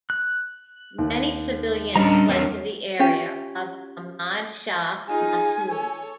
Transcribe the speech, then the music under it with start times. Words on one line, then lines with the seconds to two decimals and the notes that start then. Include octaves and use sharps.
Many civilians fled to the area of Ahmad Shah Massoud.
0.10 F#6
0.98 D#2
1.96 G3 C#4 D4 D#5 A#5
2.29 E2 F#3 C4 D4 A#4 C#5
2.99 C#4 F4 G4
5.08 D#4 F4 G#4 G#5
5.69 A4 C#5